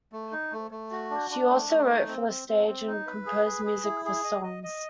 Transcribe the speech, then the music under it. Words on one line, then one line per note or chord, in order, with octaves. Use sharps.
She also wrote for the stage, and composed music for songs.
A3
D#4
A3
A3
F#4
D4
D4
A3
A3
D#4
C4
C4
C4
C4
D#4
B4
G#4
B4
G#4
E4
G#4
D#5
D#5
D#5